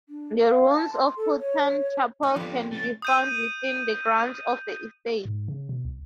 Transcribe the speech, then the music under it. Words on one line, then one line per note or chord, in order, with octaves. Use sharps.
The ruins of Haughton Chapel can be found within the grounds of the estate.
D4
F5
A5
C6
A4
C#5
D#4 D#5 F#5
F2 F3 G3 B3 D4 F4 C5
C#3 E3 F#3 A3 C#4 A6
D#6 G6 D#7
G#2
C#3
B2
C2